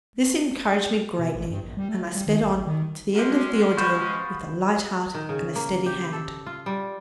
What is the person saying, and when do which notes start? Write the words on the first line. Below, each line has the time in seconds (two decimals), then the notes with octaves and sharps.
This encouraged me greatly, and I sped on to the end of the ordeal with a light heart and a steady hand.
1.19 B2
1.35 A1
1.50 G2
1.64 A#1
1.77 G3
1.89 A3
2.03 F3
2.15 G3
2.27 D#3
2.42 A#1
2.55 A1
2.67 D#3
3.15 F#3 G#3 C#4 G4 C6
3.77 B3 F4 C#6 G6 E7
5.14 D#3
5.29 C#3
5.56 A#3
5.86 G4
6.13 A4
6.46 F4
6.66 G3